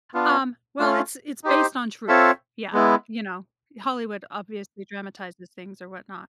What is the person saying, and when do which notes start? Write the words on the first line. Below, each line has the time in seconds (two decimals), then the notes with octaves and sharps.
Um, well, it's it's based on truth, yeah. You know, Hollywood, obviously, dramatizes things, or whatnot.
0.14 B3 D4 F4
0.79 A3 C#4 F4
1.44 D#4 G4 C5
2.08 C4 F4 A4 C#5 E5
2.73 G#3 B3 E4